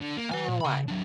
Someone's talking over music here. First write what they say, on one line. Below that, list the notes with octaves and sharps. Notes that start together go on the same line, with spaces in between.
I don't know why.
D3
A#3
B4 G#5
A#2
C#3 B5
F#3 D4